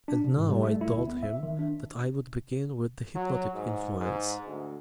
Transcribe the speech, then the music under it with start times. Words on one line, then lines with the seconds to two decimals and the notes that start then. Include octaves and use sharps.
And now I told him that I would begin with the hypnotic influence.
0.08 D4
0.24 C3
0.37 G#2
0.49 G3
0.63 A3
0.81 E4
0.94 D2
1.08 B3
1.23 E5
1.43 D#3
1.59 D4
3.15 F#3
3.54 G#2
4.01 G#2
4.46 D2